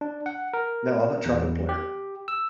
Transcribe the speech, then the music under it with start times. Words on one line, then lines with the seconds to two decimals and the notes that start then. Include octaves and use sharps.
No, I'm a trumpet player.
0.01 D4
0.26 F#5
0.54 A#4
1.26 E2
1.69 G4
2.28 E6